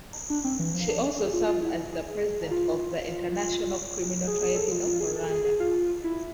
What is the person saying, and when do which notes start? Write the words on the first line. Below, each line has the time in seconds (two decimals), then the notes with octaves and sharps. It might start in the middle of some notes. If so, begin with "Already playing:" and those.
She also served as the president of the International Criminal Tribunal for Rwanda.
0.30 D4
0.44 C4
0.59 E3
0.74 F3
0.88 D4
1.18 G#4
1.33 F4
1.48 F4
1.62 E4
1.92 G#4
2.07 G#4
2.51 F4
4.27 G#4
4.42 G#4
4.56 A4
4.71 F4
4.87 F4
5.00 G#4
5.16 A4
5.30 G#4
5.45 G#4
5.60 F4
6.04 E4